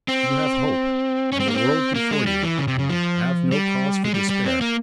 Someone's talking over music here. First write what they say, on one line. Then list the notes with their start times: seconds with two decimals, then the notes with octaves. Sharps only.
You have hope, and the world before you, and have no cause for despair.
0.08 C4
1.32 C#4
1.40 C4
1.48 A#3
1.54 C4
1.95 A#3
2.11 G#3
2.27 G3
2.43 E3
2.58 C#3
2.68 C3
2.79 C#3
2.90 F3
3.52 G3
4.05 G#3
4.14 G3
4.30 G3
4.45 C4
4.61 A#3